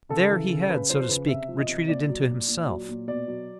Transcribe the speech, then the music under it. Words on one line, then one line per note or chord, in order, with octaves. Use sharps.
There he had, so to speak, retreated into himself.
C#3 A4
E3
C#3
C#3 B4
F3 C5
C5
C#3 B4
C3 E5
F3
D#5
C3
A#2 D5
F#3
A#2
A#2
F#3
A#2
B2 D5
F#3